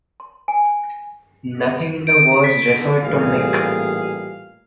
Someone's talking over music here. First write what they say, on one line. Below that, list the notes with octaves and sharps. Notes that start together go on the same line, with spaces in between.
Nothing in the words referred to Mick.
C6
G#5
D7
B6
A1 A#2 G3 G#4 F5